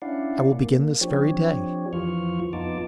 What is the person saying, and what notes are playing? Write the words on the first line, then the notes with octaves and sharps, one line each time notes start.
I will begin this very day.
C#4 D4 E4 D5 F5 F#5
A#3
F3 C4 D4 G4 C#5
F2 E3 F3 F4 C#6 F6
F2 B3 D#4 F4 A5 D6